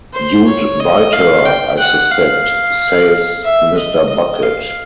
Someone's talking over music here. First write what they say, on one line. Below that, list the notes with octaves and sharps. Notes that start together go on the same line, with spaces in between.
"You'd bite her, I suspect," says Mr. Bucket.
C5
C#5
D#5
F5
G5
F#5
F5
E5
D#5
D#5
F5